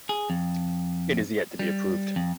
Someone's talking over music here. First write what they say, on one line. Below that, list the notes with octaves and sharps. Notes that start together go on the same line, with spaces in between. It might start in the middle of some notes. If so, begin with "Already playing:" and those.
It is yet to be approved.
G#4
F2
G3
F2